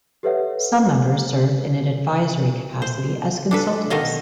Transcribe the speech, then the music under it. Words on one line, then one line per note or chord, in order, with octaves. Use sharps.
Some members served in an advisory capacity as consultants.
G4 A4 B4 C#5 E5 F#5
C5
D4 A4 B4
B2 D#3 A4 D#5 F5